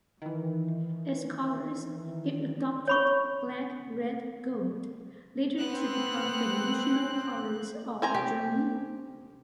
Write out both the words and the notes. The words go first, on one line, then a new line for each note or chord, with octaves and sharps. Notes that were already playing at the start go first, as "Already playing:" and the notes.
As colours, it adopted Black-Red-Gold, later to become the National colours of Germany.
D#3 E3
C#5 B5 C#6
B3 C4 F#6
C4 G#5 A#5
G4